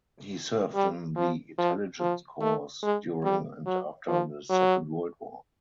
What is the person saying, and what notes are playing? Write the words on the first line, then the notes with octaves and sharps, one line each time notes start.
He served in the Intelligence Corps during and after the Second World War.
G3
F3
F3
F3
A3
G#3
G3
F#3
F3
F#3